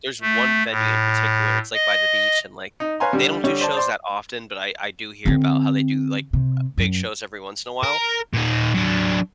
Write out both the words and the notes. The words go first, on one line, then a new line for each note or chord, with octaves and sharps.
there's one venue in particular, it's, like, by the beach, and, like, they don't do shows that often, but I I do hear about how they do, like, uh big shows every once in a while.
A3
A2
D#5
D#4
B4 C#5 F5 G#5 A#5 C6
D3 G3
D3 G3 C#5
C5 D5 A5
C5 D5 C6
D3 C4
C3
F#2
A#4
A#2 D#4
F#3 D4